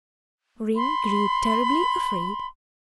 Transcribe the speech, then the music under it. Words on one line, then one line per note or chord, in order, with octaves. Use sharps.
Ring grew terribly afraid.
B5 C6